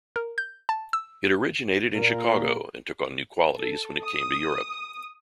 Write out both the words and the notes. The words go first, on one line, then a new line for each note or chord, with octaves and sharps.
It originated in Chicago and took on new qualities when it came to Europe.
A#4
G6
A5
E6
A#2 A#4
A4
D#6